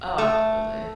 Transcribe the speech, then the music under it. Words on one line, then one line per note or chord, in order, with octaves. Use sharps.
Oh, absolutely.
A3